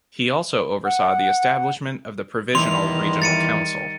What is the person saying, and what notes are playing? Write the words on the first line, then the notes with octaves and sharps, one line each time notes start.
He also oversaw the establishment of the Provisional Regional Council.
F#5
E2 D#3 G3 C6 F7
A6 C#7 D#7